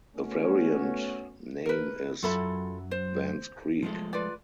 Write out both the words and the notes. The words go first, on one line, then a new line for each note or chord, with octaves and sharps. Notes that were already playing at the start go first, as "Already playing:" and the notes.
A variant name is "Vans Creek".
A3 B3 C#4 F#4 C#5
A#4 B4
F#2 F#3 F4 A4 E5 B5
C5
F3 G#3 A3
F4 B4 D5